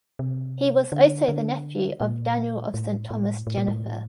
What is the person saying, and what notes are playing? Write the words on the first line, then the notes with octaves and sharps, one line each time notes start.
He was also the nephew of Daniel of Saint Thomas Jenifer.
C3
D3
D3
A#2
A2
A2
A2
A#2
A2